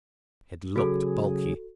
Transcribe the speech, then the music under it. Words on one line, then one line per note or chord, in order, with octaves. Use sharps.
It looked bulky.
C#3 F#3 F#4 G#4 A4